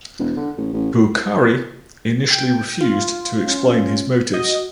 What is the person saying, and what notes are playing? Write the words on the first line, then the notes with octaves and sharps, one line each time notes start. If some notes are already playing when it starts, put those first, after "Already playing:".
Bukhari initially refused to explain his motives.
E1
D3
A1
A1
G5
F4
C#4
F#4 D#5